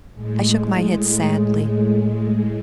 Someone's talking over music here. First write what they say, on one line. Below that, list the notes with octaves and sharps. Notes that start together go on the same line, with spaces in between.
I shook my head sadly.
A2 G#3